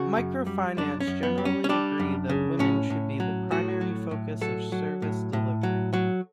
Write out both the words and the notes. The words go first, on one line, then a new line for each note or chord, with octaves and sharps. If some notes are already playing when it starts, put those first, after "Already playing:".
Microfinance generally agree that women should be the primary focus of service delivery.
Already playing: C#3 F#4
F#2
G3
F#2 D4
C#4
F#2
B3
G3
C#4
C#4
G3 D4
F#2
C#3
A2 C#4
A2
F#3
A2 F#4
F#3
A2
F#3 A4
F#3
A2
A2
F#3
F#3